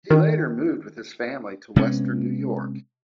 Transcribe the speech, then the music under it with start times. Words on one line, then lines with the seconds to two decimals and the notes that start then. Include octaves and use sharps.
He later moved with his family to western New York.
0.10 D#3
1.76 C3 G#3 B3 C#4